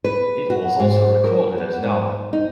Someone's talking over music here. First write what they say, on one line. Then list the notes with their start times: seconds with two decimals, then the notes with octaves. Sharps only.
It was also recorded as an album.
0.04 B4
0.50 F#4
0.80 G#2
1.24 A#4
1.58 B3
1.83 G#2
2.33 D#4